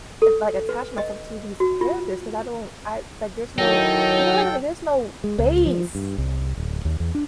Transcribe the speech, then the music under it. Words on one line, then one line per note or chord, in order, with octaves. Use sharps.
l like, attach myself to these characters 'cause I don't I like there's no you know what I mean? Like there's no base.
A4
B4
D#5
F#4
F4
D#3 F#3 D#4 E4 A4 C#5 G5
G#3
C#2
F3
G2
C2
D1
D#2
E2
D4